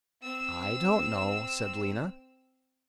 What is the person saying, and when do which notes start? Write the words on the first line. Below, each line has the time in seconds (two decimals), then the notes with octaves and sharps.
"I don't know," said Lena.
0.22 C4 E6